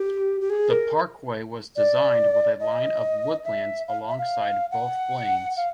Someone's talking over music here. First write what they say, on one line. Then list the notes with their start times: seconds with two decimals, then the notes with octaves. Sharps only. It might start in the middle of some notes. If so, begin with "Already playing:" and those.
The parkway was designed with a line of woodlands alongside both lanes.
Already playing: G4
0.41 G4
0.50 G#4
0.70 A#4
1.76 D5
2.60 D#5
3.44 E5
3.88 F5
4.09 E5
4.18 F5
4.71 F#5
5.57 F5